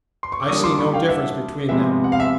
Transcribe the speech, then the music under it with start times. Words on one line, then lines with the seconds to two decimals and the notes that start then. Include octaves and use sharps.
I see no difference between them.
0.23 C6
0.32 C#6
0.40 D6
0.48 E3 G3 A#3 D4 F4 C#6 D#6
0.64 C6 D6
0.78 B5 C#6
0.93 F5 G5
1.09 E5 F#5
1.69 C3 F3 G#3 B3 E5
2.04 F#5
2.12 F5
2.20 E5